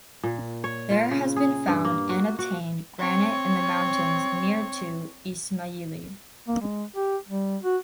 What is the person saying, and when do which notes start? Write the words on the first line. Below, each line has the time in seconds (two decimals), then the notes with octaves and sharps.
There has been found and obtained granite in the mountains near to Ismayilli.
0.23 A#2
0.64 C#5
0.91 F4
1.11 C#3
1.36 G#4
1.68 G2
1.85 A#3
2.09 F#4
2.39 F#4
2.99 C4 C#5
6.47 A#3
6.61 G#3
6.96 G4
7.29 G3
7.62 F#4